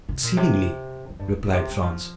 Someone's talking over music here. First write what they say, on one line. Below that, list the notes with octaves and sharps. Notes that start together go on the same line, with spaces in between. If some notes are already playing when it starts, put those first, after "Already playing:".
"Exceedingly," replied Franz.
C3
A#2
C3
F3
G2
F2
A#2
C3
G3
F3